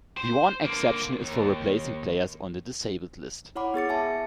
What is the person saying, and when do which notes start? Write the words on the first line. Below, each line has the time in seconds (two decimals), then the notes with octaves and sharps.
The one exception is for replacing players on the disabled list.
0.18 C5
0.65 D3 A#3
1.22 D#2
3.55 E4 C#5 F#5 B5 D6
3.74 B3 G#4 A6 C#7
3.89 E5 G#5 A5